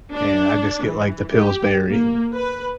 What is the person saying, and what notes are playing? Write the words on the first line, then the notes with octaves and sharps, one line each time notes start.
And I just get, like, the Pillsbury.
D4
E3
G4
A#3
B4